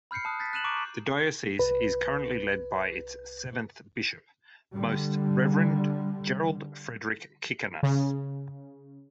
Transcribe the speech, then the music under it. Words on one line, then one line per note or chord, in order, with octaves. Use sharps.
The diocese is currently led by its seventh bishop, Most Reverend Gerald Frederick Kicanas.
B5 F6 G6 C7 C#7
A5 D#6 F#6
G6 A6 B6
F#6 G6 D#7 E7 F#7
A#5 C#6 D6 D7 E7
C2 B4
D3 G3
C#3